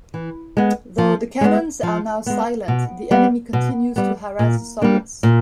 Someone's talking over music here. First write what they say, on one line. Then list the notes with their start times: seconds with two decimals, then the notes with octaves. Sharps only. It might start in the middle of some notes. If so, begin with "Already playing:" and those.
Though the cannons are now silent, the enemy continues to harass the Soviets.
0.14 E3
0.57 G#3 B3
0.98 F3
1.41 G#3 B3
1.83 F3
2.26 G#3 B3
2.68 B2
3.11 G3 B3
3.53 B2
3.96 G3 B3
4.39 A#2
4.81 G3 A#3 D4
5.23 A#2